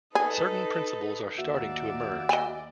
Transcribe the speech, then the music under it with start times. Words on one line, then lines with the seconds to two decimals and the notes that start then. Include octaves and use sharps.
Certain principles are starting to emerge.
0.15 D#4 G#4 A4 B4
1.38 D#2 F#4 D5 E5
2.29 D#5 G#5